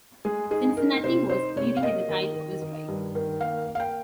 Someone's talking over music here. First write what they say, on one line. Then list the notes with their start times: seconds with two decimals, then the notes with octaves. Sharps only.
Cincinnati was leading at the time of the strike.
0.25 G#3 G#4
0.51 D#4 G#4
0.77 D#4 A#4
1.04 C3 C5
1.30 D#4 C5
1.56 C3 C#5
1.77 F5
1.83 A#3 D#5
2.09 D#3
2.36 D#3
2.62 D#3
2.88 G2
3.15 D#3
3.41 A#3 F5
3.67 A#3
3.75 F5
3.80 G5